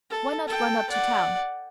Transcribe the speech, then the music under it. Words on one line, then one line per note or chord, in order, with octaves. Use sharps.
Why not run up to town?
A4
A4 G5
D5 F#5